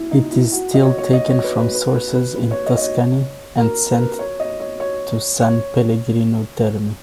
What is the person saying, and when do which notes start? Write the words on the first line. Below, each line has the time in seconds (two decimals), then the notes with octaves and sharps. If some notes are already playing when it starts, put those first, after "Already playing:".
It is still taken from sources in Tuscany and sent to San Pellegrino Terme.
Already playing: E4
0.11 D#4
0.32 E4
0.52 F#4
0.74 D#5
0.83 C#5
0.98 C#5
1.13 D#5
1.28 C#5
1.44 B4
1.59 B4
1.74 B4
1.95 B4
2.15 B4
2.35 B4
2.51 C#5
2.66 D#5
2.77 D#5
2.82 C#5
3.58 A#4
3.91 B4
3.98 A#4
4.19 C#5
4.40 D#5
4.60 C#5
4.80 C#5
5.41 C#5